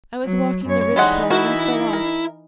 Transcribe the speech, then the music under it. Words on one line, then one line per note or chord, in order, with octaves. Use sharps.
I was walking the ridgepole and I fell off.
F#3
F#2 C#5
E3 G3 G#3 D#4 F#5
E4 F#4 A#4
A#4